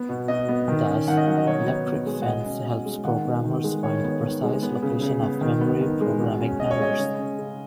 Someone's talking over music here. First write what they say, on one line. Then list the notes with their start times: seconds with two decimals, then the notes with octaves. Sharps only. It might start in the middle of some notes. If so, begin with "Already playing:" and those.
Thus, Electric Fence helps programmers find the precise location of memory programming errors.
Already playing: B3
0.09 B2
0.28 B2 D#5
0.48 B3
0.68 D#3
0.88 C#4
1.07 D#3 F#5
1.17 D#5
1.27 F#3 F#5
1.37 D#5
1.46 B2 C#5
1.67 B3
1.86 B2
2.06 G#3
2.22 F#5
2.26 B2 D#5
2.45 C#4
2.65 B2
2.85 G#3
3.04 D#3 F#5
3.24 B3
3.44 D#3
3.64 G#3
3.83 D#3 C#5
4.04 B3
4.23 D#3
4.43 G#3
4.62 B3
4.82 C#3
5.02 C#3
5.22 B3
5.41 D#3
5.61 B3
5.81 D#3
6.01 G#3
6.20 B2
6.40 C#4
6.60 B2 D#5
6.71 C#5
6.80 G#3 D#5
6.99 C#3
7.19 C#4
7.38 C#3